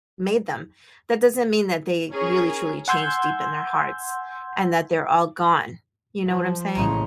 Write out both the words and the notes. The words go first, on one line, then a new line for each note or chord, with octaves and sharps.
made them. That doesn't mean that they really truly changed deep in their hearts, and that they're all gone, you know what I'm saying?
C#4 G#4 A#4 C#5
F#5 G#5 C6 E6 G6 G#6
F3
A1 A#2 C#3 D#4